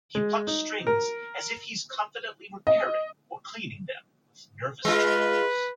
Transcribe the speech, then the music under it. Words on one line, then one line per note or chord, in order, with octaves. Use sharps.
He plucks strings as if he's confidently repairing or cleaning them with nervous tools.
G#3
D#4
A#4
D#5
G#3 F4 B4